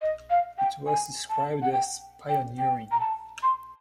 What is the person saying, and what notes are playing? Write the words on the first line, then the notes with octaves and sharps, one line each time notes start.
It was described as "pioneering".
D#5
F5
G5
G#5
A5
F#5
G5
G5
G5
A#5
A5
C6